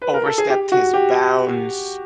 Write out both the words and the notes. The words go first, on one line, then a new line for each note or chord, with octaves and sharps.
overstepped his bounds
B4
A#4
A4
G#4
G4
F#4
G4